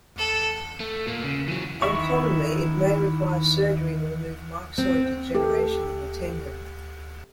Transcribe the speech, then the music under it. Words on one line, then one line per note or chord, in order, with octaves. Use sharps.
Uncommonly it may require surgery to remove myxoid degeneration in the tendon.
A4
A3
A#2 A#3
C#3
E3 F#3
D#3 E3 E4 E5 C#6
C4
A3 G4 A4